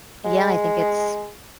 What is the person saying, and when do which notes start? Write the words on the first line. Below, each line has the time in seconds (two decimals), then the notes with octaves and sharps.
yeah, I think it's
0.25 G#3